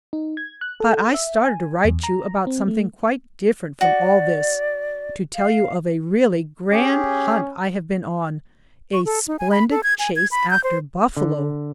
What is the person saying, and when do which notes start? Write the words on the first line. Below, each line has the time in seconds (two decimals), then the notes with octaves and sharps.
But I started to write you about something quite different from all this--to tell you of a really grand hunt I have been on--a splendid chase after buffalo!
0.13 D#4
0.37 G#6
0.61 F#6
0.80 A4
1.14 E5
1.45 G#5
1.85 E2
2.03 A#5
2.47 C4
2.68 A3
3.81 F#4 D5
5.35 F5
6.72 C#4 G4 G#4
8.93 C#6
9.06 A4
9.28 D#4
9.39 G#5
9.51 B5
9.71 A4
9.83 G#6
9.99 G#5
10.16 G#6
10.31 B5
10.50 G6
10.64 C5
11.17 D3